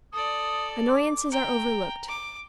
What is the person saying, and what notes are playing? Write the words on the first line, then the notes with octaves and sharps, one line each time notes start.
Annoyances are overlooked.
A4 D5 D#6
D6
G5 A#5
D6